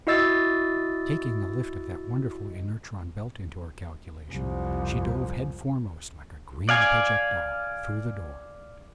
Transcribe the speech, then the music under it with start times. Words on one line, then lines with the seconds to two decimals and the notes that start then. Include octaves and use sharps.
Taking the lift of that wonderful inertron belt into her calculation, she dove headforemost, like a green projectile, through the door.
0.07 E4 F#4 D#5 E6 A6
4.28 C2 F2
6.69 D5 F5 G#5